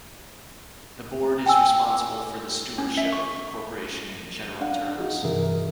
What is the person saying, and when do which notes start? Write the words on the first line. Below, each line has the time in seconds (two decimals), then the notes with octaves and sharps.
The Board is responsible for the stewardship of the corporation in general terms.
1.46 G5 G#5 E6
2.78 C#4
2.97 E5
3.13 C#6
4.61 D4 F5 F#5
4.98 D#4 F#4 G#4
5.23 G2 C3 E3 G#4 A#4 E5